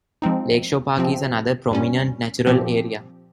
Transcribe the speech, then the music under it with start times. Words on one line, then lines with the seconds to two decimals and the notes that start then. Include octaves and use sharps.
Lakeshore Park is another prominent natural area.
0.22 F3 G#3 C4 D#4
0.97 C3 F3 C4
1.71 G2 G3 C#4
2.46 A#2 F3 C4 G4